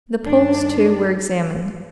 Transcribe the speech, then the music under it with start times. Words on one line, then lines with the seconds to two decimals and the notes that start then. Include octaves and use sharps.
The Poles, too, were examined.
0.23 G2 D#3 D4